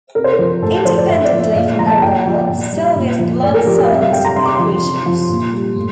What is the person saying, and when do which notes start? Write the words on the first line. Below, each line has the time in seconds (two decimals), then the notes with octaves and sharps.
Independently from her will, Silvia's blood summons the creatures.
0.15 C3 A#4
0.24 C5
0.33 A#4
0.39 F3
0.62 A2 A4
0.74 A4
0.85 F3 C5
0.97 D5
1.09 A2 E5
1.25 D5
1.32 F3
1.40 E5
1.56 A#2 F5
1.79 F3 A#5
1.86 A5
2.02 A#2 G5
2.26 F3
2.34 D5
2.49 A#2
2.73 G3
2.96 A#2
3.19 F3
3.43 A2 D5
3.54 A#4
3.66 F3 G4
3.78 A#4
3.84 F5
3.89 C3 E5
4.01 F5
4.13 G3 G5
4.25 A#5
4.36 C3 C6
4.46 D6
4.55 F3 C6
4.83 C3
5.06 F3
5.29 A#2
5.53 G3
5.76 A2